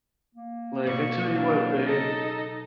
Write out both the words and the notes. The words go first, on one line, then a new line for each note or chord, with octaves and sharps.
Like, "I tell you what, babe”
A#3
B2 D5 C#6
F#3 D4 F5
D#4 A4 D#5